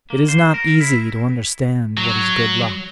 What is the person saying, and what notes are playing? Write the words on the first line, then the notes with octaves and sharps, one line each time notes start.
It is not easy to understand what is good luck.
A#3
C5
A#4
E4
F#3